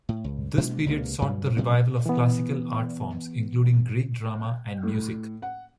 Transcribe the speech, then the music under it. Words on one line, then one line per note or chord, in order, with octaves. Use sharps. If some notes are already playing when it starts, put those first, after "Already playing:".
This period sought the revival of classical art forms, including Greek drama and music.
A2
C#2
B2 G#3 A#3 D4
C#2 C3 A#3
D2 G2 F#3 G3
A2 C3 F#3 A#3
E3 B3
A2
F#5